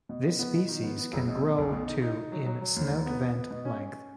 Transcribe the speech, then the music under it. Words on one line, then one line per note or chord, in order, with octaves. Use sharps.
This species can grow to in snout–vent length.
B2
B3
B3
B2
D#3
B3
B3
F#1
B2
B2
B1
B2
D#4
D#4
D#4
F#3
F#3
F#3
D#2
D#2
B3
B3
B3
B2
C#4
C#4